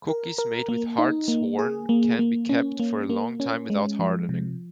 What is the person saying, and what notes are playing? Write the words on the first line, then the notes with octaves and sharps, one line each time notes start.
Cookies made with hartshorn can be kept for a long time without hardening.
A#4
A#4
A#3
D#4
A#3
G#4
A#3
A#3
C#4
A#3
A#3
C#4
G#3
F3
C3